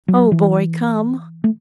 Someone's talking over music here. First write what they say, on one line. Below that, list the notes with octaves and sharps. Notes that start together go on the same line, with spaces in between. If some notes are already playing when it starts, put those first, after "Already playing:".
Oh, Boy--come!
F#3
E3
A3